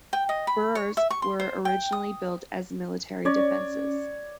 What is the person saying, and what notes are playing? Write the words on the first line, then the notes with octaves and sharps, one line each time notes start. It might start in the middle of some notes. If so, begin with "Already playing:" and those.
Burhs were originally built as military defences.
G5
D#5
B5
C#5
E5
C#6
C6
C5
G5
D#6
C#4 C#5 D5